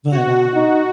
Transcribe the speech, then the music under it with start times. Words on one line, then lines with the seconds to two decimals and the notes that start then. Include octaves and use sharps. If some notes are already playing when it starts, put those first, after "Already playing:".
But, um
0.12 F#4
0.54 D#4